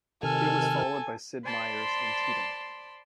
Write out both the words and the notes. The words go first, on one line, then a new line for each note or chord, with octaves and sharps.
It was followed by Sid Meier's Antietam!
C3 D#3 A4 G#5 F6
C5 D5 A5 B5 C6